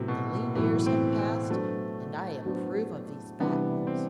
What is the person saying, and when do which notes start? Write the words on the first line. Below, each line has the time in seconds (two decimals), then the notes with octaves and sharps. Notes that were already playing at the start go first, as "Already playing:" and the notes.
The lean years have passed, and I approve of these fat ones.'
Already playing: A2 C3 F#3 B3 F#4
0.08 B2
0.55 A2 E3 F#3 B3 F#4
0.86 C4
1.19 C4
1.50 F#3 A3 B3 D4 F#4 C5
2.45 F#3 B3 D4 F#4 C5
3.40 C3 E3 G3 B3 D4
3.87 C4